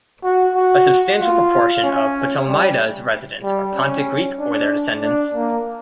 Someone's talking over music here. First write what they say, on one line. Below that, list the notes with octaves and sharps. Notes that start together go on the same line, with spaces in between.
A substantial proportion of Ptolemaida's residents are Pontic Greek or their descendants.
F#4
F#4
F4
C#4
G3
G3
C#4
D4
D4
A#3